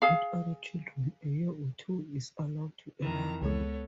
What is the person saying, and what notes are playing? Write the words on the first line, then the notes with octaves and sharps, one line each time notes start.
With other children, a year or two is allowed to elapse.
G#4 F5
F2 D#3 E3 A#5
C#2 G#3 B3 A4 C#5